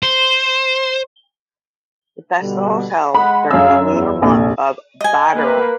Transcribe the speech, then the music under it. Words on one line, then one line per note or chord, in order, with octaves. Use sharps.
The festival is held during the lunar month of Bhadra.
C5
B2 D3 G3
G#3 D#5 F#5 B5
F#2 G#4 F5 E6
E2
F1 A#1 D#2
D#5 G#5
A#3 B4